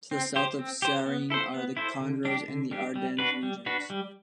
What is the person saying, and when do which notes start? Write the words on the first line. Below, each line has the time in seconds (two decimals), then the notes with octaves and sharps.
To the south of Seraing are the Condroz and the Ardennes regions.
0.11 C4
0.36 G4 C5
0.59 C4
0.82 G4 C5
1.06 B3
1.30 E4 A4 C5
1.54 B3
1.77 E4 A4 C5
2.00 D3
2.25 G3 D4 G4
2.48 D3
2.71 G3 D4 G4
2.96 G3
3.19 D4 F#4 B4
3.43 G3
3.66 D4 F#4 B4
3.90 G3